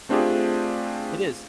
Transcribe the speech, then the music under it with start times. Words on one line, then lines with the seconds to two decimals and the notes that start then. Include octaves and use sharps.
It is.
0.09 A3 C4 D4 F4 G4 G#4